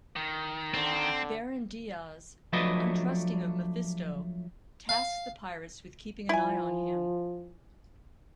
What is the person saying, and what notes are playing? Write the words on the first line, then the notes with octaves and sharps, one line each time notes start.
Baron Diaz, untrusting of Mephisto, tasks the pirates with keeping an eye on him.
D#3
D3 C4
F3 F#3 A3 D4 B4 D#5
F5
F3 E4 G#5